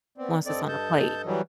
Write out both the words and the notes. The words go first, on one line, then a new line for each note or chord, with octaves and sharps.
once it's on the plate.
B3 C4 D5
G2 C4 A4 D5 D#5
A5 G6
E3 F#3 G3